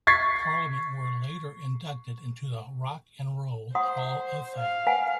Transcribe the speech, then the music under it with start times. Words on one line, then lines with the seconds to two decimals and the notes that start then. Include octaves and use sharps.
Parliament were later inducted into the Rock and Roll Hall of Fame.
0.07 C#6 G#6 A6 B6 C7
3.75 C5 F#5 C6 D#6
4.57 F5
4.87 B4 F#5 G#5